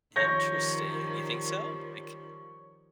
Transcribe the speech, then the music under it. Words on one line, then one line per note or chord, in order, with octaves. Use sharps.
Interesting, you think so? Like,
D#3 F3 G3 C#5 G6 A#6